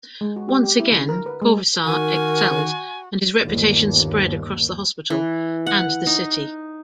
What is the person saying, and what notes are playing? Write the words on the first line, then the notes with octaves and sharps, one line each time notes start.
Once again, Corvisart excelled and his reputation spread across the hospital and the city.
G#3
F#4
G4
G4
E4
D3
A#4
B4
G#3
D#3 F#4 A#4 G#5
G1 D#2
E3
F#5
D#4